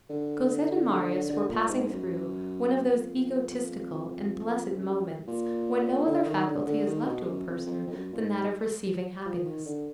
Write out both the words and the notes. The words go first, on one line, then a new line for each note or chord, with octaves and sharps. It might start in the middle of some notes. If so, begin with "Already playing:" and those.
Cosette and Marius were passing through one of those egotistical and blessed moments when no other faculty is left to a person than that of receiving happiness.
D3
D3
A#2
G#2
G#2
F#2
F2
F2
F#2
A#2
D3
D#3
D3
D3
D#3
B2
F#2
F2
F2
F2
F#2
A#2
G#2
F3
D#3
D3